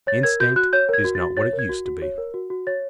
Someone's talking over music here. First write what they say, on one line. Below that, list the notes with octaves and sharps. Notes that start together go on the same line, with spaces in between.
Instinct is not what it used to be.
C#5 A6
A#4 G#6
F#4 G6
F#4 F#6
C#5 G6
A#4 G#6
F#4
A6
F#4
C#5 A6
A#4
G#6
F#4
F#4
C#5
A#4
F#4
F#4
C#5 A6